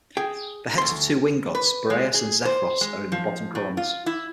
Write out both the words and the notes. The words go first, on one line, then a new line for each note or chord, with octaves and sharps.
The heads of two wind-gods, Boreas and Zephyros, are in the bottom corners.
G#4 G5
D2 C6
B4
G#3
G#4
C5
G#3
F3
A2
F4
E4